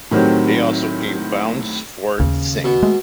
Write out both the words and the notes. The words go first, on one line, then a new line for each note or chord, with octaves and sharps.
They also gave bounds for the same.
A2 D#3 F#3 C4 G4
D#2 C#3
B2
G#3 A3